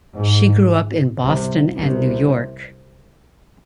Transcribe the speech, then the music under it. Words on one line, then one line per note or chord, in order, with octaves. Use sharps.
She grew up in Boston and New York.
G#2
C2 C3
C2 C3